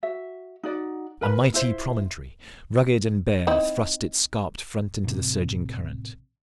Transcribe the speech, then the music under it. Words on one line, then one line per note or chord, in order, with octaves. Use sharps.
A mighty promontory, rugged and bare, thrust its scarped front into the surging current.
F#4 E5
D#4 F#4 D5
A#4 B4 B5
E4 F4 C5 E5
C4 D#4 E4
A1 C3